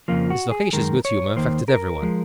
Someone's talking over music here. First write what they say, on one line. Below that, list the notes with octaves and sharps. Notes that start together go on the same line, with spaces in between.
His loquacious good-humour infected everyone.
F2 C#3 F3 A#3 F4
F#4
G#4
F#2 D#3 G#3 A#4
C#5
D#2 D#3 A#3 C5
A#4
F3 G#3